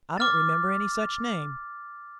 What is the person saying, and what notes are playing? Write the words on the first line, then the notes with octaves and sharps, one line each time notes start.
'I don't remember any such name!'
D6 F6 A6